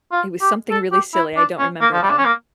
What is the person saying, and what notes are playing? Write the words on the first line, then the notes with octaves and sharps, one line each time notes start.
It was something really silly, I don't remember, though.
F4
G4
A4
G4
E4
D4
C#4
A#3
F3
G3
D4
C#4
A#3